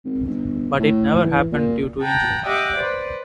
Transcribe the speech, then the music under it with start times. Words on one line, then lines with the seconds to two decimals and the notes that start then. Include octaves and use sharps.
But it never happened due to injury.
0.05 G#1
0.26 G1
0.79 A2
1.22 E3
1.52 A#2
2.02 F#5 G5 A5 A#5
2.44 G4 D#5 E5 F#5 G5 D6
2.76 B4 C5 D5